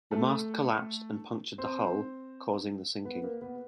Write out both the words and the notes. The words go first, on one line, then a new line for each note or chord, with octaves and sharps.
The mast collapsed and punctured the hull, causing the sinking.
A3 A4
C4 C5
B3 B4
A#3 A#4
B3 B4